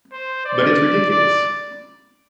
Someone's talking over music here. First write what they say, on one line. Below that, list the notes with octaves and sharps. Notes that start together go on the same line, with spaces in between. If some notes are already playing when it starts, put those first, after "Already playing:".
But it's ridiculous!
C5
D5
D5